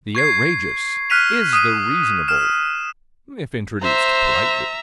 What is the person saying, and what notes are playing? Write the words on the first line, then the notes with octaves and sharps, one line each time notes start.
The outrageous is the reasonable, if introduced politely.
C#6 G#6 C7
F6 F#6 B6 D#7 F7
D#6 D#7
F6 E7
C5 E5 A#5